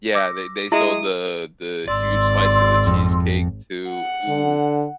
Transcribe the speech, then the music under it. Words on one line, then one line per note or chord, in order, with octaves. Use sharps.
Yeah, they they sold the the huge slices of cheesecake, too ooh,
D6 E6 A#6
G#3 E4 E5 D#6
G#1 D5 C6 E6
F2
F#5
D3